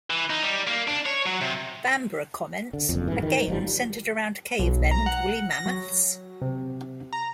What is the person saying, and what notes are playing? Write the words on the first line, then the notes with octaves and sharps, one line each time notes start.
Bambra comments: A game centered around cavemen and woolly mammoths?
E3
D#4
G3
A#3
D4
C#5
F#3
C3
D3
F#1 F2
G#2 E3
D#3
G1 F3 G3
B1
A#5
F#5
A#6
F#3
C3
A#5